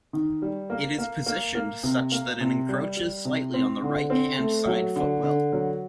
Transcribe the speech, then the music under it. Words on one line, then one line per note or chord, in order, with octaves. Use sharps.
It is positioned such that it encroaches slightly on the right-hand-side footwell.
D#3
G3
A#3
A#3
A#3
A#3
C3
A#3
C3
G3
G3
C3
C4
D3
C4
A3
F#3
D3
D3
F#3